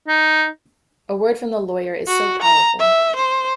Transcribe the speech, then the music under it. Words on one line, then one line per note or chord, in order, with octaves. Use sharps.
A word from the lawyer is so powerful.
D#4
F#4
A#5
E5
C5